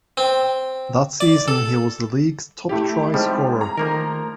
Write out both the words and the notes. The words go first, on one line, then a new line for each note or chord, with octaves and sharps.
That season he was the League's top try-scorer.
C4
D5
A4
A3 E4 G4
A2 F3 G3 G#3 C4 D#4
G#4 A#5
D#3 F3 A3 A#3 A#4